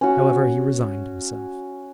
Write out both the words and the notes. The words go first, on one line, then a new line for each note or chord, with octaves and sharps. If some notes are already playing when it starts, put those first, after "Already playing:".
However, he resigned himself.
C#4 F#4